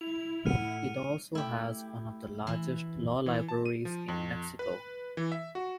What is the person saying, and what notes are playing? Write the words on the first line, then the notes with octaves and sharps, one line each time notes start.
It also has one of the largest law libraries in Mexico.
E4 F7
A2 F#5 F6 C#7 D#7
A3 E4 G4
E3
E3
A5
D#7
F3
F2
B4
E3
E5
F#4